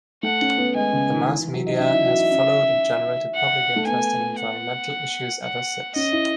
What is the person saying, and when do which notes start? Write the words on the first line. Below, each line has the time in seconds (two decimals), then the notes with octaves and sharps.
The mass media has followed and generated public interest on environmental issues ever since.
0.23 A3 F#5
0.41 C#4
0.58 B3
0.75 G#3 G#5
0.93 C#3
1.10 D#3
1.28 E3
1.41 E3
1.53 F#3
1.66 D#4
1.79 C#4 E5
1.93 E4
2.06 F#4
2.18 D#4
2.32 C#4
3.35 F#5
3.76 A3
3.87 B3 G#5
4.40 F#5
5.43 F#5
5.96 C#4 D#5
6.12 E4